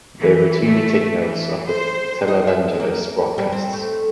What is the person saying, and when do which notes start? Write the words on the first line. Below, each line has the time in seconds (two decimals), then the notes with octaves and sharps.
They routinely take notes of the televangelists broadcasts.
0.19 E3
0.65 A3
1.20 E3
1.68 C5
2.28 D#4
2.47 E5
2.80 A#3
3.38 G3
3.52 C4
3.73 A3